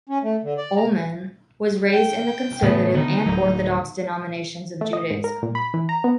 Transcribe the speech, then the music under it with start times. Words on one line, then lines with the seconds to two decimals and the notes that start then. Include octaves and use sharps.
Ullman was raised in the Conservative and Orthodox denominations of Judaism.
0.09 C#4
0.23 A3
0.43 D3
0.57 D5
0.76 A#5
1.93 G5
2.62 A2 C#3 E3 A3 B3
2.94 D3 D#3 B3 D#4
3.26 D1 F#3
4.81 A3
4.93 D#5
5.10 G#2
5.24 A#4
5.43 A#2
5.55 B5
5.74 E3
5.89 A#5
6.04 B3